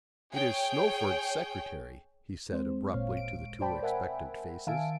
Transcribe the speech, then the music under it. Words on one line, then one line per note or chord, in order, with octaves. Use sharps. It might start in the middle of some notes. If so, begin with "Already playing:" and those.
"It is Snowford's secretary," he said abruptly to the two expectant faces.
G#4 C#5 G5
G#3 C4 C5
G#1 A#2 C#5 F5
D7
C5 D5 G5 A5 B5
A#4 E5 F#5 G#5 B5
D#3 E5 F5 G#5 A5 D7